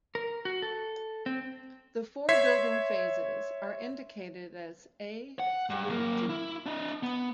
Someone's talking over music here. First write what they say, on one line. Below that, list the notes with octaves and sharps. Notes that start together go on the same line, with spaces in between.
The four building phases are indicated as a–d.
A#4
F#4
A4
C4
C#5 E5 C6 G#6 B6 C7
F#5
G2
F#2 A#3
E4
D4 D#5
B3